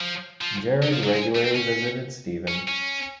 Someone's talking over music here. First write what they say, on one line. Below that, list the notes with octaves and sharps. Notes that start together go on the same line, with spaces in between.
Gerard regularly visited Stephen.
F3
F3
F#3
F3
F#3
G#3
A3
C4
C#4
C#4
C#4